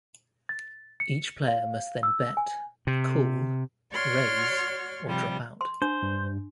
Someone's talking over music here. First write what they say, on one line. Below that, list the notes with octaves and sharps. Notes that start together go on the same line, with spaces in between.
Each player must then bet, call, raise or drop out.
A6
C#7
F5
E6
G#5
C3
F#4 C#5 D5 C6 C#6 F6
C3 F3 G3
C6
D4 C5
G2